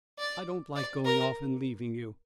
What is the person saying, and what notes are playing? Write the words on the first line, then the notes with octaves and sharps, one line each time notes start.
"I don't like going off and leaving you."
D5
D5
A#4